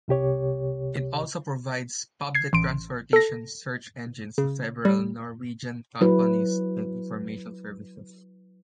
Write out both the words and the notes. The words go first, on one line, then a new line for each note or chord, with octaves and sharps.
It also provides public transportation search engines to several Norwegian companies and information services.
C2 C3 G4 C#5
G#6 C7
A1 C6 D7
A4 A#6
C#3
G3
F#3 E4 B4